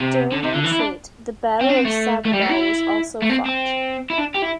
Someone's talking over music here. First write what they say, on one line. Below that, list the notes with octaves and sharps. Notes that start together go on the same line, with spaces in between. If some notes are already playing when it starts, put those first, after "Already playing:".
During the retreat, the Battle of Sabugal was also fought.
C3
D3
C3
D3
E3
E4
D4
C4
D4
C4
A3
A3
G3
A3
E4
A3
C4
C4
E4
D4
G4
E4